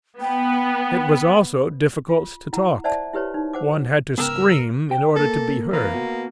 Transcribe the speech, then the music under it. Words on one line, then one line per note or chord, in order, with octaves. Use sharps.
It was also difficult to talk; one had to scream in order to be heard.
B3 G5
F4
E4 F#5 A#5
C5 D5 E5 F#5 A5
E4 G4 B4 C#5
D#4
C5 F#5 D6
C#2 G#2 B3 A#4 G5 E6
G5
A#3 A4 A#4
E3 A#3 B4 F5
B3 F#4